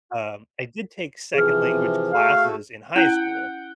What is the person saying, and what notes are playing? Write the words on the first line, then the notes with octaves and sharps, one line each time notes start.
um I did take second language classes in high school,
C3 E3 F3 G#4 F6
A3 F#4 A4 F5
C#4 E4 F#5 G5